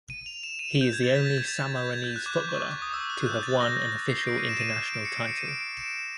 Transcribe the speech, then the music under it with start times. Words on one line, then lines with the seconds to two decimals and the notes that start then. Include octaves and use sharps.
He is the only Sammarinese footballer to have won an official international title.
0.10 D#7
0.26 F7
0.43 E7
0.59 D#7
0.81 G6
0.93 G#6
1.03 A6
1.15 B6
1.26 A6
1.38 G#6
1.48 A6
1.59 A6
1.76 G6
1.93 G#6
2.04 G6
2.16 F#6
2.26 D6
2.37 D6
2.49 C#6
2.60 D6
2.71 D6
2.82 D#6
2.94 E6
3.10 F#6
3.26 G6
3.43 A6
3.60 A#6
4.10 C7
4.27 D7
4.38 D#7
4.49 E7
4.60 D#7
4.94 D7
5.05 C#7
5.27 C#7
5.37 D#7
5.48 D7
5.60 D7
5.77 E7